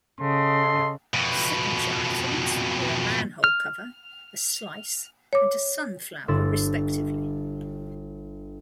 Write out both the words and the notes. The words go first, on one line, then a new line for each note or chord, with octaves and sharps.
Signature items were a manhole cover, a slice, and a sunflower respectively.
C#3 A4 D#5 C6
F2 B2
F6
C#5 D6
G1 E4 C6 E6 A6